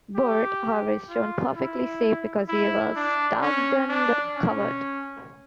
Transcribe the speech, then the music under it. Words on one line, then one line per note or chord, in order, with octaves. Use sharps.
Bert, however, is shown perfectly safe, because he has ducked and covered.
G4
F4
E4
E4
D4
C#4
D4
C#4